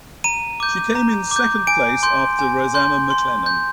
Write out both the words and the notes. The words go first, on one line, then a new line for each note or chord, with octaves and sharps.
She came in second place after Rosannagh MacLennan.
A#5 D#7
D6 G6
A#5
D6 G6
G#5 D7
C6 G6
G#5
C6 G6
C6
G6